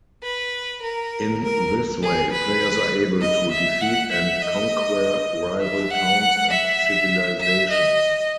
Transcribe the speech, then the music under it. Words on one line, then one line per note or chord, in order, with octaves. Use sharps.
In this way, players are able to defeat and conquer rival towns and civilizations.
B4
A#4
A#4
G#4
B4
D#5
E5
F#5
E5
D#5
E5
F#5
E5
E5
D#5